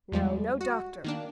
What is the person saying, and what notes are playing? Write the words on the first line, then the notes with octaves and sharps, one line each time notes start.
No--no doctor.
E2 F3 G3 G#3
F#4
D#3 A#3 D4